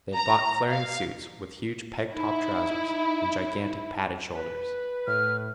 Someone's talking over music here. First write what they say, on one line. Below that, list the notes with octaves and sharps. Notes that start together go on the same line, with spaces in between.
They had bought flaring suits with huge peg-top trousers and gigantic padded shoulders.
A#5
F5
D#4 E4
B4
A2 F6